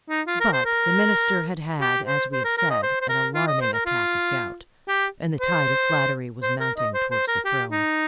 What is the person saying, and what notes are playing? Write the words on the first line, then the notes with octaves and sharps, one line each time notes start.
But the minister had had, as we have said, an alarming attack of gout, and the tide of flattery was mounting towards the throne.
D#4
F4
A#4
C5
A#4
G4
C5
C5
A#4
A#4
D#5
C5
C5
A#4
F4
D#5
C5
A#4
F4
G4
C5
C5
A#4
D#5
C5
C5
A#4
G4
D#4